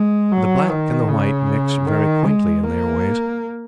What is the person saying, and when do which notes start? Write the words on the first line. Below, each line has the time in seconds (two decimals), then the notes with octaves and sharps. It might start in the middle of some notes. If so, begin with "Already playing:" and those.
The Black and the White mix very quaintly in their ways.
Already playing: G#3
0.32 F#3
0.70 D#3
1.08 C#3
1.86 D#3
2.26 G#3
2.64 A#3